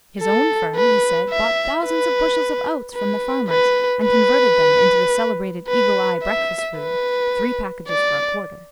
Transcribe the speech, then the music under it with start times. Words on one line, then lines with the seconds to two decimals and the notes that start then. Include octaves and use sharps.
His own firm, he said, bought thousands of bushels of oats from the farmers and converted them into the celebrated Eagle-Eye Breakfast Food, three packages for a quarter.
0.20 A4
0.75 B4
1.29 E5
1.85 B4
2.95 B4
3.49 B4
4.04 B4
5.68 B4
6.23 E5
6.78 B4
7.88 D5